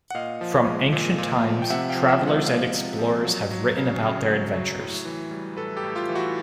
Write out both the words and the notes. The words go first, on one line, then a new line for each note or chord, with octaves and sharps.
From ancient times, travelers and explorers have written about their adventures.
F#5
A#2 D#5 F5
F3
G#3
A#2
A#2
F3
G5
C3 E5 F#5
F5 G5
F3
E5 F#5
G#3
E5 F#5
C3 D#5 F5
C3
F3
F#3
F#3
C#3
C#3
F#3
F#3
A2
E3
G3
A2 A4 B4
G4 A4
A2
F4 G4
E3
E4 F#4